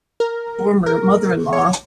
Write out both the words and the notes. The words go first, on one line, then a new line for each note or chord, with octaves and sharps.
former mother-in-law
A#4
A#4
C#5